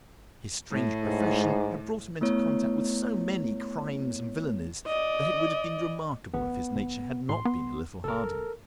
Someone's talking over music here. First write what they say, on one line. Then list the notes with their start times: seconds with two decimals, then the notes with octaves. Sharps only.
His strange profession had brought him into contact with so many crimes and villanies that it would have been remarkable if his nature had not been a little hardened.
0.71 A2
1.04 G#2
2.21 A3 B3 E4 C#5
4.87 D5 D#5
6.34 A1 B3
6.75 F#1
7.29 A2 C6
7.45 B3
8.04 F#1 A4 A#4